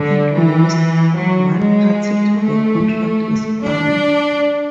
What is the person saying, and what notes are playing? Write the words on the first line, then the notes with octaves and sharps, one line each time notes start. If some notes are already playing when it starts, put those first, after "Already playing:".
At most, one party to the contract is bound.
Already playing: D3
E3
F#3
G#3
A3
D4